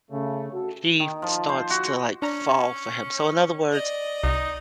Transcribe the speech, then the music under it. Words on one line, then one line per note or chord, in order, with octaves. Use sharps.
He starts to, like, fall for him. So in other words,
C#3 A3
F#4 A4
D#3
F3
C5
F#4
C#4 D4 A#5
D5 D#5
C2 D#4